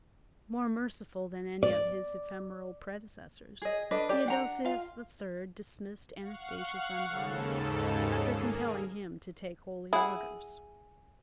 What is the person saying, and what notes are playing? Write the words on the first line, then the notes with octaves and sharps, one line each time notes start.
More merciful than any of his ephemeral predecessors, Theodosius III. dismissed Anastasius unharmed, after compelling him to take holy orders.
D5
G#4 D#5
D4 A4 B4 D#5
G4 D5
D4 F#5 A#5
F4 F5
F5 F#5 C#6 F#6
D#2 G#2 C#3 A4
A#3 G#4
E4 G#4 E5 F#5